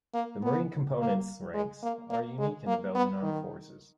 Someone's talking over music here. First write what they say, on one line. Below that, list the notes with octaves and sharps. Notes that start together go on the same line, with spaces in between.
The Marine Component's ranks are unique in the Belgian Armed Forces.
A#3
B3
A#3
G#3
A#3
A#3
G#3
A#3
B3
D#3